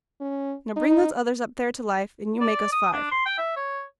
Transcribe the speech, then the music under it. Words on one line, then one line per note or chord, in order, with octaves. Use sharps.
Now bring those others up there to life, and you make us five.
C#4
D#4
D5
D#6
D4
C6
G5
E5
C#5